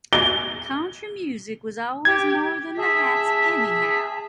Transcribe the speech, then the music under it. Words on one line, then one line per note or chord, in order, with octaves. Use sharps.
Country music was always more than the hats anyhow.
G7
G4 G#6
G#4 E5 A5 B6